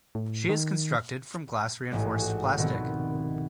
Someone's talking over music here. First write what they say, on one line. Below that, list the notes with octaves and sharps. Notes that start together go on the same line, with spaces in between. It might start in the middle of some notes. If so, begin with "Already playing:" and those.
She is constructed from glass-reinforced plastic.
A2
D#3
A1 G#2 F3 G#3 A3
F#4
C2 B2 D#3 F3 B3 C4